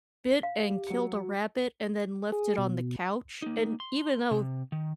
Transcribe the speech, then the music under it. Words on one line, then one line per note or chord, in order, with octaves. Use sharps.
bit and killed a rabbit and then left it on the couch, and even though
F5
G4
F#3 C#7
F#4
G#4
B2
A#3 D#4
C6
C3
D#3